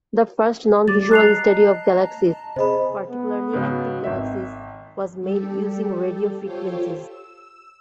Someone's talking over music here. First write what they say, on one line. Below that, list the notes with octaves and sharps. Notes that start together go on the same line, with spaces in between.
The first non-visual study of galaxies, particularly active galaxies, was made using radio frequencies.
F#3 G3 D6 A6
D#5 A5 A#5 F#6 C7 F7
C3 G#4 C5 D#5 B5
B3
G#2 C#3 F#3
G#1 E5
G3 G4 A4
F4 G4 A4 C5 C#5
E6